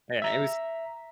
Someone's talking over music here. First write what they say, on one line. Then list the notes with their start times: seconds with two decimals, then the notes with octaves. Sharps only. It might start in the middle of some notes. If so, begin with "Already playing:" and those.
Yeah, it was
0.22 E5 A#5 B6